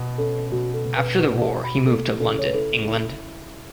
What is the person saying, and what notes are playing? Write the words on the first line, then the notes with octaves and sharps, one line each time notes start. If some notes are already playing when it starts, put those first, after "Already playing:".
After the war he moved to London, England.
Already playing: B2
C#4 A4
B2 F#4
A4
B2
B4
F#4 B4
A5
F#4
B5
A3 A4
C#3 A4
C#5
B4
E4 A4
E4